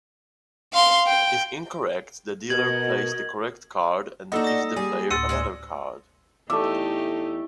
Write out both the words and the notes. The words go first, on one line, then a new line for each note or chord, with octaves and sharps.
If incorrect the dealer plays the correct card and gives the player another card.
F5 C6
G5
B2 F#4 A#4 D#5 G#6 F#7
A#3 D4 D#4 F#4 A4 D#5
D#6 A#6
G3 G#4
D2 A2 C6 E6 A6 C#7 D#7
G#3 D4 C5
E2 A3 D#4 G4 E5 D6